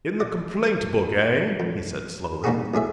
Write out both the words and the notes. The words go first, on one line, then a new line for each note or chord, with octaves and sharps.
"In the complaint-book, eh?" he said, slowly.
D5 D#5
F2
G3 A#3 C4 D#4 F#4 G#4
B1 A2 G#4 E5